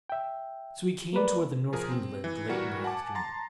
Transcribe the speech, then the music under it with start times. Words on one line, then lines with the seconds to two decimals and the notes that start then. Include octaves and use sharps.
So he came to where the North Wind lived late in the afternoon.
0.10 E5 G5
1.13 A#3 A#4 B4 D5
1.73 F3 G#4 A#4
1.92 C4
2.24 E3
2.49 E3 G3 F#4 A#4 C#7
2.84 F#5 G#5 A5 D6
3.15 A5 A#5 C6 A6